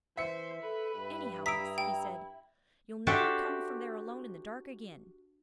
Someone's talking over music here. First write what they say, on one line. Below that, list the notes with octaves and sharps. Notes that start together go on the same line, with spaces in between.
"Anyhow, miss," he said, "you'll never come from there alone in the dark again!"
E3 C5 E5 C#7
A4 B4
G2
E4 A#5 D#6 E6 B6 D7
G5
D4 F#4 G4 A4 C5 E5